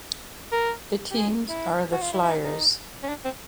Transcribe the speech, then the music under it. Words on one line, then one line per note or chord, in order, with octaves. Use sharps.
The teams are the Flyers.
A#4
G4
G#4
E4
F#4
F4
E4
E4
D#4
D#4
C#4
D4
C4